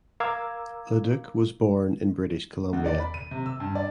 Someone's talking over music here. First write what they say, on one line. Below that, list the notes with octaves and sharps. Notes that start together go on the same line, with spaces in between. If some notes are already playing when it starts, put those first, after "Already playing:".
Leduc was born in British Columbia.
A#4 F5 A#5 D6 E6 G#6
E2
D5
B5
D#7
C3
E6
G2
D5